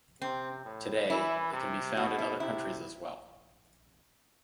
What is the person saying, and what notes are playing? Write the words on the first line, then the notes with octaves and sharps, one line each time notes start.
Today, they can be found in other countries as well.
C3 C4
A2
E3 E4
C3
B2 F#4
E4
C3 E4